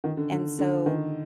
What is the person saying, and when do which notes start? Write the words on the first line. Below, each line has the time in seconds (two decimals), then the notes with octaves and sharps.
and so
0.04 D#3
0.17 D3
0.31 D3
0.59 D3
0.86 D#3